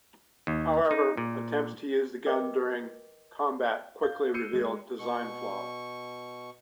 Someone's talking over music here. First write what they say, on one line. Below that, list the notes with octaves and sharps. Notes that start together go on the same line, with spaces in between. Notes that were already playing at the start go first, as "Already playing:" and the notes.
However, attempts to use the gun during combat quickly revealed design flaws.
D#2
D#4
A#2
A#4 B4 D#5 G5 D6 E6
F5 G6
E6 G6 C7 C#7 D#7
G#3
B2 C#6